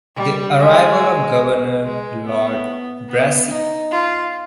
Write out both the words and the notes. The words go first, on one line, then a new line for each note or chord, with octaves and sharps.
The arrival of the Governor Lord Brassey.
G3
G#3
G#3
B3
B3
D#4
F4